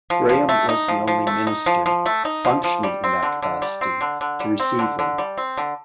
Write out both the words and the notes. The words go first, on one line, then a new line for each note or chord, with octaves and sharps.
Graham was the only minister, functioning in that capacity, to receive one.
F3
F3
A3
D#4
F3
F3
A3
D#4
F3
F3
A3
D#4
F3
F3
G3
C4
D3
D3
G3
C4
D3
D3
G3
C4
D3
D3
G3
C4
D3